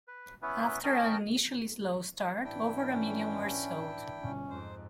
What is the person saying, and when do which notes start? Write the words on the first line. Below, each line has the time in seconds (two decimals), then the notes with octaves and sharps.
After an initially slow start, over a million were sold.
0.08 B4
0.42 B3 C#4 E4 B4
0.84 C#4 A#4 D#5 G5 A5
2.45 G#2 E3 D4 E4 G5
2.89 C#4
4.21 G1 B2 C#4
4.50 F2 G#2 C5